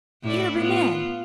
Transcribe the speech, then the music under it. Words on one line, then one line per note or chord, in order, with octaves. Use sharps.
Here be men!
A2 E4 D5
B3 F4